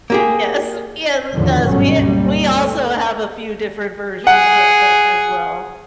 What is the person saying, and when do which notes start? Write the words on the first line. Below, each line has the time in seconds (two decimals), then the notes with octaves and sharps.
Yes, yes, it does. We we also have a few different versions of it, as well.
0.10 A#3 G4 G#4
1.34 E2 A2 D3 D#3 F3 F#3
1.66 G#1 G2 B2 F#3 A3 C#4
2.01 D2 G3 A#3
2.56 A3
4.27 G#4 F#5